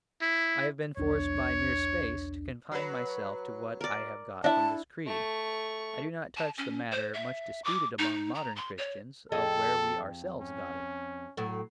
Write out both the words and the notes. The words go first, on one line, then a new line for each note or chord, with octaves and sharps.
I have been forced by mere space to confine myself to what I have got from this creed; I do not touch the matter much disputed among modern Christians, of where we ourselves got it.
E4
B1 E2 D4 C#5
F#3 B4
A#4 D5
D4 E4 C#5 D5 E5 A5
A3 C#6
A5
C#4
C5
E5
D6
D#4
A#5
C6
C#5
F2 G#4 A4 D#5
C#4
A2 F#3